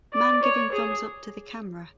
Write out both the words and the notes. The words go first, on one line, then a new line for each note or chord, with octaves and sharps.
Man giving thumbs up to the camera.
D5
C#5
G#4